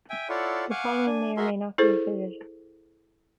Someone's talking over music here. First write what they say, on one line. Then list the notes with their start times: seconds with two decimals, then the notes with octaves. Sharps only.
The following may or may not be included.
0.10 E5 G5 G#5
0.29 E4 F4 A4 C#5 D5 F#5
0.71 F5 F#5 G#5 C#6 D6
1.06 D4 G#5
1.37 F#4 G#4 A#4 E5 C6
1.78 E4 G#4 A4 C5